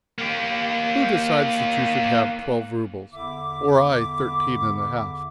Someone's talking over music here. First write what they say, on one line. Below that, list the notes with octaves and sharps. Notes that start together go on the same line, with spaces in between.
Who decides that you should have twelve rubles, or I thirteen and a half?
A#3 G4
E2 D3 E4 E5 D6